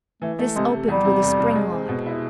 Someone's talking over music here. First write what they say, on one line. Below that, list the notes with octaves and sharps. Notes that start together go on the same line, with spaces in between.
This opened with a spring lock.
E3 A3
A3
C3 G#3
C3
E2 G3
C3
F1
F1
G#3
C4
B2
E4